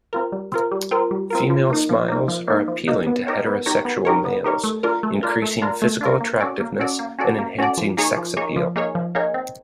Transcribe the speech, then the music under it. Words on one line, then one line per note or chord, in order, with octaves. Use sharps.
Female smiles are appealing to heterosexual males, increasing physical attractiveness and enhancing sex appeal.
C4 F4 A#4
G3
C4 F4 A#4
G3
C4 F4 A#4
G3
C4 F4 A#4
F3
A#3 D#4
F3
A#3 D#4
F3
A#3 D#4
F3
A#3 D#4
B3
D#4 G4 A#4 C#5
B3
D#4 G4 A#4 C#5
B3
D#4 G4 A#4 C#5
B3
D#4 G4 A#4 C#5
A3
D4 F4 A#4
A3
D4 F4 A#4
A3
D4 F4 A#4
A3
D4 F4 A#4
A#3
C#4 F#4 A4 D5
A#3
C#4 F#4 A4 D5
A#3
C#4 F#4 A4 D5
A#3
C#4 F#4 A4 D5
F3
A#3 D#4 G#4 C#5
F3
A#3 D#4 G#4 C#5
F3
A#3 D#4 G#4 C#5
F3
A#3 D#4 G#4 C#5
C4